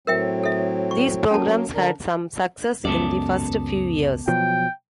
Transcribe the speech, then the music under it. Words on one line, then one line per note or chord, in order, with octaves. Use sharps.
These programs had some success in the first few years.
A2 F#3 C4 A#4 E5 G5
A4 E5
C#6
F#3 A#3 C#4 A4 A5
D3 D4 A#4
C#2 F#2 B3 A4 D5
B2 F3 F#3 G5